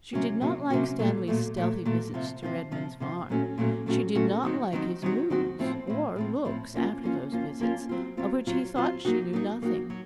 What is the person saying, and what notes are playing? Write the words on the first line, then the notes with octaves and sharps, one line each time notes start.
She did not like Stanley's stealthy visits to Redman's Farm; she did not like his moods or looks after those visits, of which he thought she knew nothing.
C3 F#3 A#3 C#4 F#4
C3 F#3 A#3 C#4 F#4
C3 F#3 A#3 C#4 F#4
A#2 F#3 A3
A#2 F#3 A3
A#2 F#3 A3
A#2 F#3 A3
C3 F3 C4 F4
C3 F3 C4 F4
C3 F3 C4 F4
C3 F3 C4 F4
A#2 F#3 A3 C#4 F#4
A#2 F#3 A3 C#4 F#4
A#2 F#3 A3 C#4 F#4
A#2 F#3 A3 C#4 F#4
D#3 F#3 C4 D#4 F#4
D#3 F#3 C4 D#4 F#4
D#3 F#3 C4 D#4 F#4
D#3 F#3 C4 D#4 F#4
A2 F3 C4
A2 F3 C4
A2 F3 C4
A2 F3 C4
F3 A#3 C#4 F4
F3 A#3 C#4 F4
F3 A#3 C#4 F4
F3 A#3 C#4 F4
F#3 C4 F4
F#3 C4 F4
F#3 C4 F4
F#3 C4 F4
F#3 A#3 D#4 F#4
F#3 A#3 D#4 F#4
F#3 A#3 D#4 F#4
F#3